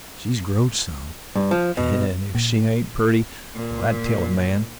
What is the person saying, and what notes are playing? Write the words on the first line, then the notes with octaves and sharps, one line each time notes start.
She's growed some--an' if she ain't purty, well I'd tell a man!
G2
F3
B2
A#2
A#2